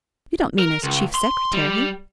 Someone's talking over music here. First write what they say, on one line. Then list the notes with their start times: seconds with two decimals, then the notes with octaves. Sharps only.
"You don't mean as Chief Secretary?"
0.59 A#4
0.83 C#2
1.15 C6
1.54 G3